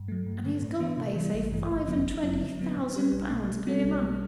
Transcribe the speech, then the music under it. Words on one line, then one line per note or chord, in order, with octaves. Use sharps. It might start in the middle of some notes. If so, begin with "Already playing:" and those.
"And he has got they say five-and-twenty thousand pounds clear money."
Already playing: G2
F#3 A3
G2
D3 A3
A2
E3 B3 D4
C3
E3 G3
A1
G2 E3 A3
G1
F#2 D3 F#3 B3
G1
F#2 F#3 C4 E4
D3
F#3 B3
A2
G3 C4 G4 B4
B1
B2 A3
B2
G3 C4 F#4 A4
B1
B2 G3